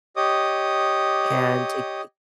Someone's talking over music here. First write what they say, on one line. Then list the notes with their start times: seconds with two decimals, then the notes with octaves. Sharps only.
and take the
0.16 G4 C#5 D#5 D6 D#6